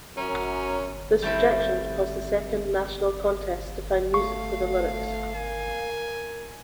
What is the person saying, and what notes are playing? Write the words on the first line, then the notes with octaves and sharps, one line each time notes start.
This rejection caused a second national contest to find music for the lyrics.
F#2 C#4 F#4 A#5
G3 A3 C4 E4
A3 F5 C#6
A#4 G#5